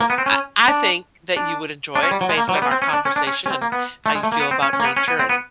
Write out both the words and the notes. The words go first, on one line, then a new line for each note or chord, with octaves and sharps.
I I think that you would enjoy it based on our conversation and how you feel about nature and
A#3
B3
C4
C#4
D4
D4
D4
C#4
G3
F#3
G#3
A#3
F#3
G3
B3
C4
C#4
D4
C#4
D4
C#4
C#4
C4
A#3
B3
A3
G#3
A3
A#3
B3
C4
C#4
C#4
A#3
B3
C#4
B3
C4
B3